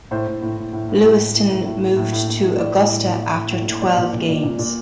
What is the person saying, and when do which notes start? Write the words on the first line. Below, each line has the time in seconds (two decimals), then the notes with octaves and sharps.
Lewiston moved to Augusta after twelve games.
0.11 A2 C5
0.27 A2
0.42 A2
0.57 A2
0.73 A2
0.89 A2
1.04 A2
1.19 A2
1.35 A2
1.50 A2
1.65 A2
1.81 A2
1.97 A2
2.12 A2
2.27 A2
2.43 A2
2.58 A2 D5
2.73 A2
2.90 A2
3.04 A2
3.20 A2
3.36 A2
3.51 A2
3.66 A2
3.82 A#2 D5
3.97 A#2
4.13 A#2
4.28 A#2
4.43 A#2
4.59 A#2